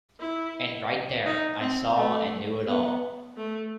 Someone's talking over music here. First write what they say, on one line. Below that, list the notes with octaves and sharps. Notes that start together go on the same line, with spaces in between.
And right there I saw and knew it all.
E4
D#4
C4
A3
B3
A3